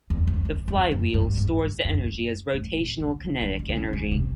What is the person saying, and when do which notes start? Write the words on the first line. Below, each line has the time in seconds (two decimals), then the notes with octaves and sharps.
The flywheel stores the energy as rotational kinetic energy.
0.10 E2
0.27 F2
0.45 F2
0.68 F2
0.92 F#2
1.14 G2
1.37 G2
1.85 F#2
2.54 A2
2.77 A#2
3.00 D3
3.24 E3
3.42 D#3
3.59 D3
3.69 D3
3.76 C#3
3.93 D3
4.11 C3